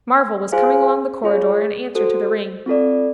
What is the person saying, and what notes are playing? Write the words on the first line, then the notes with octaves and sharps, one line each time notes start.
Marvel was coming along the corridor in answer to the ring.
F4 G#4 C5 F5 G#5
F4 G#4 C#5
F#4 A4 C5
C4 F4 A4 D5